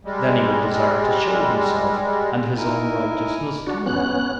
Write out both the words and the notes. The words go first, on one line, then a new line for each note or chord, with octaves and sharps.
Then He will desire to show Himself and His own righteousness to them....
G3 G#3
D#4 E4 A#4 G#5
D4 F#4
B3 C#4 F#6